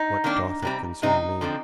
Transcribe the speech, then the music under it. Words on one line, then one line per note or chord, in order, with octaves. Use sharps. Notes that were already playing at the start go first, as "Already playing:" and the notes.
What doth it concern me?
Already playing: D#4
D#3 A#3 D4
C3 G3 C4
C3 G3 C4 D#4
D3 F3 C4